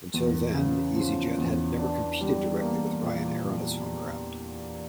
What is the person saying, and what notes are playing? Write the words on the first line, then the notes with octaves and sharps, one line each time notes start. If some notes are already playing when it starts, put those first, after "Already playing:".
Until then, EasyJet had never competed directly with Ryanair on its home ground.
E2
C#3
F3
E2
D4
G3
A#3
A#2